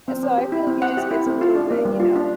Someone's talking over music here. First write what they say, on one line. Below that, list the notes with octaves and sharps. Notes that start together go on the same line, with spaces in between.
So, I feel like it just gets a little bit, you know,
C4
C4
G4
E4
C4
C4 F#5
G4
E4
C4
F4
D4
A#3
G3
F4
D4